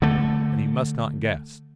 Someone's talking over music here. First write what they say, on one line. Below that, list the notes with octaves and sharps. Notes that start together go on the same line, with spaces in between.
"And he must not guess."
D3 A3